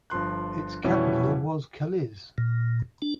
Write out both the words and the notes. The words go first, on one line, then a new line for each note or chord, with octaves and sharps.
Its capital was Kalisz.
G1 F3 C6 F#6
F2 B2 E3 G3 C#4 E4
A#2
D4